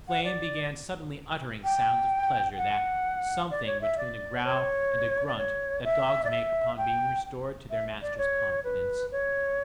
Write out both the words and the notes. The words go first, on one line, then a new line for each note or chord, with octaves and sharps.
Flame began suddenly uttering sounds of pleasure, that "something" between a growl and a grunt that dogs make upon being restored to their master's confidence.
F#5
D5
G5
F#5
D5
C#5
E5
D5
C#5
D5
C#5
E5
D5
E5
G5
E5
D5
C#5
B4
C#5